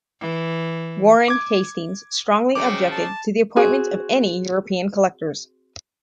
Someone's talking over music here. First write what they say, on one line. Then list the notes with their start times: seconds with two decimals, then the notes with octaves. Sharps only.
Warren Hastings strongly objected to the appointment of any European collectors.
0.20 E3
1.28 D6 G#6
2.55 G#2 C#3 F#3 G5 D6
2.91 A5
3.56 C4 F#4 G#4